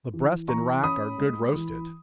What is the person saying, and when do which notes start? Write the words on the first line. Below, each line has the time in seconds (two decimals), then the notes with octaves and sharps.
The breast and rack are good roasted.
0.14 E3
0.48 E3 A#5 C#6
0.83 C#4 B5 D#6
1.18 G#3
1.54 E3